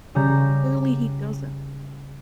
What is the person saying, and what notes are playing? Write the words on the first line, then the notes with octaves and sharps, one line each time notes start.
But clearly, he doesn't.
C#3 G3 A#5 G6